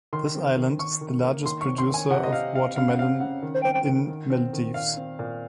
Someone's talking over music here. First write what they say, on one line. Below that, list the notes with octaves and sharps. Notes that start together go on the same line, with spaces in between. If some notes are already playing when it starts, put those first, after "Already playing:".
This island is the largest producer of watermelon in Maldives.
D#3 C6
C4
D#3
D#3 C#6
D#3
A#3
D#3 C6
C#6
C4
C6
D#3 G#5
C3 F#5
D#5
C4 F5
C3 F5
C#3 F5
F#5
C4 F5
C#3 F#5
D#3
C4
D#3
D#3
C4
D#3
A#2 F5
C4
A#2